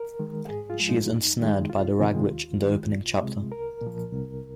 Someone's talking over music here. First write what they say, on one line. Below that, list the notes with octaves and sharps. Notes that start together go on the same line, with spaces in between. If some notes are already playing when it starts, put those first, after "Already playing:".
She is ensnared by the Ragwitch in the opening chapter.
Already playing: A#4
D#3 G#3
G#2 G#4
F4
F3 G#3
D#4
F2
D#3 G#3
C2 F4
C3 D#3 G#3
D#2
D#3 G#3
C2
C3 G#3
C2 A#4
A#2
F3
C2